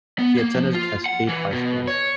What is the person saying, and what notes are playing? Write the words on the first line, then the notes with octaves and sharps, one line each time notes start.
He attended Cascade High School.
B3
A#3
F3
F4
F#5
E3
B2
C#5